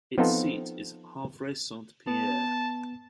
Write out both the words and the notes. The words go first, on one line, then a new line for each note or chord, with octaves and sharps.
Its seat is Havre-Saint-Pierre.
F3 B3 C4 D#4 F4 A4
B3 A5